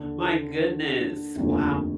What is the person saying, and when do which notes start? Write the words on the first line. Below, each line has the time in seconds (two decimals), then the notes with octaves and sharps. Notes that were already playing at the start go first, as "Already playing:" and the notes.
My goodness. Wow.
Already playing: D#2 D3
1.36 F1 D#2 D3 F3